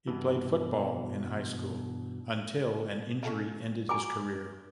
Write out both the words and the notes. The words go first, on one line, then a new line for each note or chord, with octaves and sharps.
He played football in high school until an injury ended his career.
G2 B2 E3
C#4 A4 F5
F#4 G#5 A#5 D6